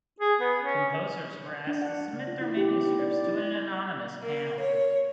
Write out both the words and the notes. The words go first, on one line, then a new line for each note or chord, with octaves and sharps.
Composers were asked to submit their manuscripts to an anonymous panel.
G#4
B3
C#4
D4
F#5
D4
C#3
F4
E4
G4
B3
D#4
D5
D5
E4
A#3
C#5